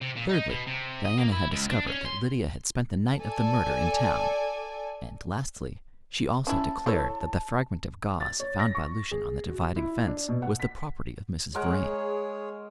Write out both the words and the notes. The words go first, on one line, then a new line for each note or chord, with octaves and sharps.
Thirdly, Diana had discovered that Lydia had spent the night of the murder in town; and, lastly, she also declared that the fragment of gauze found by Lucian on the dividing fence was the property of Mrs. Vrain.
C3
A#2
D#4
B2
C3
D#5
A#3
E4
C#2
D4
C#4
C6
A4 D5 G#5
C#4 E4 A5
E4 A4 C#5
A6
C#5
A#6
C#6
G#4
F#4
E4
D4
B2
F#5
B6
G#3 G#4 A#4 C#5 F#5